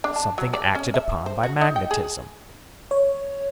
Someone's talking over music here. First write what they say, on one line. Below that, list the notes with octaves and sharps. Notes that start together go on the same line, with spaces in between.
Something acted upon by magnetism.
D4
A5
F#3
D5
C#4
E5
C5
F#4
D#4
G5
G#4
C#5